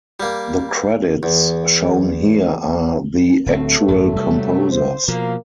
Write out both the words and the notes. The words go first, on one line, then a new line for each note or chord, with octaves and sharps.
The credits shown here are the actual composers.
G3 A#3
E2
D1 D2 G2 F#3 A3 C4
G#1 F#2
C3 G3
C5
B2 F3 A#3